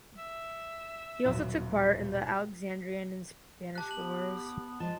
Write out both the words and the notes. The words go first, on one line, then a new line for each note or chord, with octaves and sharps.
He also took part in the Alexandrian and Spanish wars.
E5
D#1 F#2 B2
G4 A5 F#6
B3 F#7
F3 G#3 A5